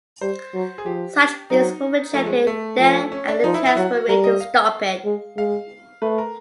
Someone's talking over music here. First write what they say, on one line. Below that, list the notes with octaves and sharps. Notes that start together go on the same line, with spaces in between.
Such things were rejected there and attempts were made to stop it.
G3 C5
F#3
G#4
F3 G4
F#3 D#4
F3 A3
G#3
A3
F3
C#4
D4
F3 D#4
E4
E4
F#3 F#4
G3 A#4
D#5
F5
G#3
G#3 F5
A3 B4
A#4